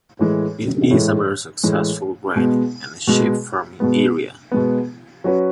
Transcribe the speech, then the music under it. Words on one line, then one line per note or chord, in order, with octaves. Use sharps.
It is a very successful grain and sheep farming area.
A2 E3 G#3
A2 E3 G#3
A2 E3 G#3
B2 G#3 B3
B2 G#3 B3
B2 G#3 B3
B2 G#3 B3
F#3 C#4 F#4 B4